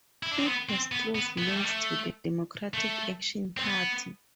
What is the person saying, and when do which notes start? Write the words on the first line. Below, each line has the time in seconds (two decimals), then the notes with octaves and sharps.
It has close links to the Democratic Action party.
0.23 E4
0.31 D4
0.39 C4
0.47 B3
0.69 C4
0.92 B3
1.15 B3
1.38 B3
1.47 A3
1.57 G3
1.65 A3
2.74 A3
3.57 C4
3.64 B3